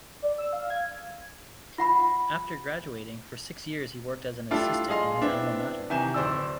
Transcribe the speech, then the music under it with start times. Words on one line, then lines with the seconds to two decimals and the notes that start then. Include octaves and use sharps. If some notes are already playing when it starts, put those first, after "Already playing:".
After graduating, for six years he worked as an assistant in his alma mater.
0.22 D5
0.38 E6
0.53 F5
0.70 G#6
1.78 F4 F#5 B5
4.51 G3 A3 D4 E4 F4 A4
4.90 G#4 D#5 F5 C6
5.21 B3 C4 D4 E4
5.90 C3 D#3 E3 G#5 G6 E7
6.14 D1 C5 D5 E6